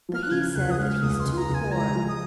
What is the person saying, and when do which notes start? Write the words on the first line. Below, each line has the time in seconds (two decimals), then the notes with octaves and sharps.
But he said that he is too poor.
0.09 F3
0.14 F6
0.23 F#6
0.31 C#3 G#6
0.55 C#2 F#6
0.70 D#6
0.78 G#3 F#6
0.82 F6
1.02 C#2 D#6
1.20 C6
1.26 C#2
1.37 A#5
1.49 C#2 G#5
1.72 G#3 A#5
1.95 F3
2.08 D#6